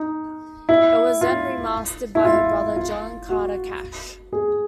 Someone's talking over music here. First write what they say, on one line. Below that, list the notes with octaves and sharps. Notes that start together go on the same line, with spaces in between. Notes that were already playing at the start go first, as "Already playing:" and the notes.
It was then remastered by her brother John Carter Cash.
Already playing: D#4
E4
F4
E4
F4
F4
F#4
G#4